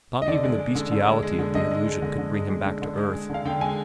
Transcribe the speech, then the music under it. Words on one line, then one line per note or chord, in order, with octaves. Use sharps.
Not even the bestiality of the allusion could bring him back to earth.
D#5
D3 D5
G#3
G#3
D3
D3
G#3
G#3
D3
D3 D#5
G#3
G#3
D3
D3
G#3
G#3
D3
D3
G#3
G#3
D3 F5
D3 G5
G#3 G#5